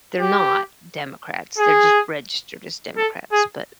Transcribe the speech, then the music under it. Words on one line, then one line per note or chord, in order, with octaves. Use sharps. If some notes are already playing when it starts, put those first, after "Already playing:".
they're not Democrats. They're just registered as Democrats. But,
G4
G#4
A4
G#4